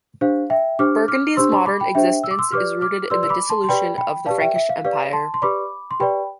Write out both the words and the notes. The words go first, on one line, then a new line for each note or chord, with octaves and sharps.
Burgundy's modern existence is rooted in the dissolution of the Frankish Empire.
D4 G4 C5 F5
E5 G5
D4 G4 C5 D6 F6
D6 F6
D4 G4 C5 C6 E6
A5 C6
B5 D6
G5 B5
D4 G4 C5 E5 G5
E6
D6
C6 E6
G4 B4 D5 D6 F6
D6 F6
G4 B4 D5 C6 E6
E6
B5 D6
A5 C6
C6
G4 B4 D5 G5 B5
G5 B5
G4 B4 D5 F5 A5
E5 G5
E5
F5
G4 B4 D5 F5
A5 C6
C6
G4 B4 D5 B5 D6
C6
G4 B4 D5 G5 B5